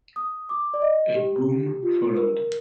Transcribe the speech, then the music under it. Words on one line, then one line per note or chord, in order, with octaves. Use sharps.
A boom followed.
D#6
D6
D5
D#5
G4
F4
A#4